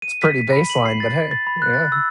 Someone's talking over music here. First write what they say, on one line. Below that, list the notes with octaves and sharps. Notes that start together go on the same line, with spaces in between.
it's pretty baseline, but hey, yeah.
D#7
B6
B6
B5
F#7
C7
A6
A6
B5
F#6
A6
E6